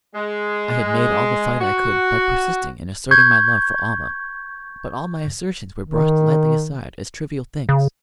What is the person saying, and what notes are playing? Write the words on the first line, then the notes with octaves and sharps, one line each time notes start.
I had made all the fight I could by persisting in asserting my love for Almah, but all my assertions were brushed lightly aside as trivial things.
G#3
F#4
C#6 G6 G#6
D#3
C#3